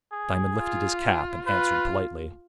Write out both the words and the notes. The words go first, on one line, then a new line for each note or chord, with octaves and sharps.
Diamond lifted his cap, and answered politely.
G#4
F4
F4 B4